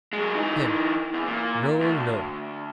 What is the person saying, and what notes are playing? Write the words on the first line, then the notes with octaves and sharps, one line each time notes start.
HIM: No, no.
F#3 G#3
E3 D#4
E2
A#2
D2